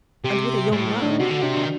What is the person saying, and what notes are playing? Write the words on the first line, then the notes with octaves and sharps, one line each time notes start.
'And with a young man?'
C3 G4
A2
D4
D#4
C3 F#4
D3
C3 D4
D#3